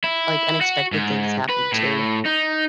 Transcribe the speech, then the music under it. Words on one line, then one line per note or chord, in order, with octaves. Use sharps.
like, unexpected things happen, too.
E4
F#4
G#2
B4
A2
D#4